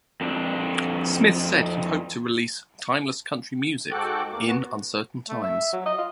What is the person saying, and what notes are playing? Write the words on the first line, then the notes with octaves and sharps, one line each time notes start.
Smith said he hoped to release "timeless country music" in "uncertain times".
F2 D4
G#2 F#4 A4 G5 D6 F#6
E2 A#3 D6
B3 F#4
A3
E5
F#3
D#5
F4